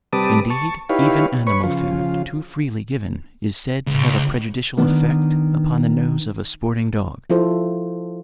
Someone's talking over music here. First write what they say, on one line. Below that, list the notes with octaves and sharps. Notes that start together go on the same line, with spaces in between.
Indeed, even animal food too freely given is said to have a prejudicial effect upon the nose of a sporting dog.
C3 G3 B4 A5 D6 D#6
A5 C#6
D#4 E4 G4 B4 C#5 F5
B4 C#5 C#6
C#3 F3 F4
C#2
D#3 B3 D4
F3 E4 F4 A4 C5